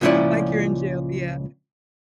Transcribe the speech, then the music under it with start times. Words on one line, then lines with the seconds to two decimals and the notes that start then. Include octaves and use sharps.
Like you're in jail, yeah.
0.01 C#2 A#2 F3 C#4 E4 D5